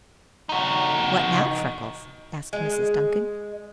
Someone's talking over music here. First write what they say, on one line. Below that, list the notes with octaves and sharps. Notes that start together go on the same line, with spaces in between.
"What now, Freckles?" asked Mrs. Duncan.
D#4 F#4
G#3